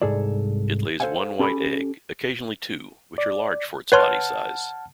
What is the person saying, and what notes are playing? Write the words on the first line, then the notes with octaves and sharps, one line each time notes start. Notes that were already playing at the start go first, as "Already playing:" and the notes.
It lays one white egg, occasionally two, which are large for its body size.
C2 G#2 G#4 A4 D5
A4 C5 D5 F5 F#5 G#5
C#4 G4 A4 A5 B5
D5
B4 C#5 F#5 A5 C6 F6